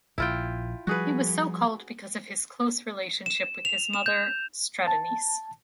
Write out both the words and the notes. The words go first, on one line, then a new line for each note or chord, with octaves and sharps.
He was so-called because of his close relationship with his mother Stratonice.
A#1 A#2 E4 F4 G5
F3 G3 F#4 G#4 B4
E7
F7
E7
G6
A5